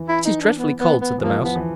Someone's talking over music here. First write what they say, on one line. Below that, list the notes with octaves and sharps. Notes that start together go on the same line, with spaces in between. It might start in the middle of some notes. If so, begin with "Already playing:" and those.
"It is dreadfully cold," said the Mouse.
Already playing: E3
E4
D#4
D4
B3
B3
B3
E3
F3 A#3
F3 B3
E3